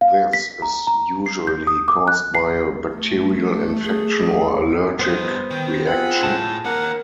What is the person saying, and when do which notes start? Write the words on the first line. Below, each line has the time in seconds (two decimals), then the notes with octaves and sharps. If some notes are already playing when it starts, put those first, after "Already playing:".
This is usually caused by a bacterial infection or allergic reaction.
0.01 F5
0.33 B6
0.62 A#5
0.87 A#5
1.26 C7
1.47 G6
1.67 D#6
1.88 D6
2.08 F#6
2.35 C7
2.95 A3
3.84 G#4
4.99 G2 B3 D#4 C5 D#6
5.51 D#3 G5
5.87 C4 F4 G#4 F#5 B5
6.23 A2 A5
6.65 A#3 D#4 A#4 F#5